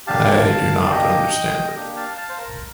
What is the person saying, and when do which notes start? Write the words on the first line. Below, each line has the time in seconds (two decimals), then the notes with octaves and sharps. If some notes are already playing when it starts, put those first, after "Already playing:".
I do not understand it.
0.07 A#3 D4 G4 F5 A5
0.81 F5
0.91 A#3 D4 G4 D#5 G5
1.76 A#3 D4 G4
1.96 F5 A5
2.17 F5 A5
2.29 C5
2.38 A#4